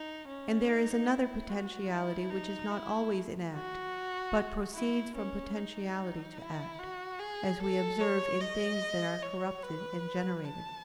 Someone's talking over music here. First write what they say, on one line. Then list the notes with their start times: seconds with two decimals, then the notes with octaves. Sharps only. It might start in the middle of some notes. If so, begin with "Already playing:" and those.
And there is another potentiality which is not always in act, but proceeds from potentiality to act; as we observe in things that are corrupted and generated.
Already playing: D#4
0.27 C#4
0.68 D#4
1.08 E4
1.49 F#4
1.90 E4
2.30 D#4
2.71 E4
3.53 F#4
4.75 E4
5.16 C#4
5.56 D#4
6.38 E4
6.79 F#4
7.19 G#4
7.60 A4
8.01 C#5
8.41 D#5
9.23 C#5
9.63 B4
10.45 A5